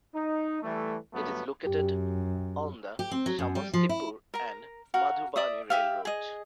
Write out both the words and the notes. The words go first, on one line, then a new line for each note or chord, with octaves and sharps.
It is located on the Samastipur and Madhubani rail route.
D#4
E3 G3 A3
G2 D3 F#3 A3 B3
F#2 G4
G4
C4
F#3
F#2
G3
F3
E4
A#4 A#5
F#4 A#4 F5
D5 E5 D#6
G4 E5 F5
G#4 D#5